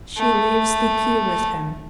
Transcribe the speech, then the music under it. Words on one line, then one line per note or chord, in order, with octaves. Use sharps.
She leaves the key with him.
A3